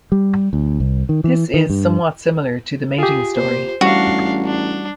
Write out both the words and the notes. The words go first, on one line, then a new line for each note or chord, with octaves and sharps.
This is somewhat similar to the mating story.
G3
D2
C2
D#3
E3
D#3
G2
F4 G4 G#4
A#2 C5
A1 G3 D4 F#4 F5
D4